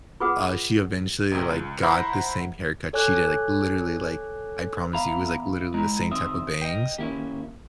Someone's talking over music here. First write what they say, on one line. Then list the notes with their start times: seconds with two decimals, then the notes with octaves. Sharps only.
like, uh, she eventually, like, got the same haircut she did, like, literally, like, I promise you, it was, like, literally the same type of bangs.
0.20 F4 G#4 B4 F#5 D#6
1.32 A1 C3
1.49 C#2
1.83 E4 C5 F#5 A#5 B5
2.93 A4 C#5 G#5 D6 F#6
4.94 E2 E5 F5 A#5 B5
5.74 G#3 E4 A#5
6.12 D#3 C4 E5 D#6
6.62 D#5 G5
6.98 D#3 A#3 C#4 E4 G4